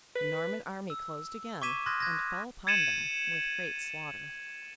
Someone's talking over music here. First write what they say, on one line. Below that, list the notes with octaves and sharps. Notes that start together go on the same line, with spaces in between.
The Norman army closed again, and fell upon them with great slaughter.
B4
E6
C#6 D6 G#6 B6 D#7 E7
C6 D#6 F6 F#6 G#6 A#6
F#6 G#6 A#6
G#6 A6 C#7 D#7 E7 F#7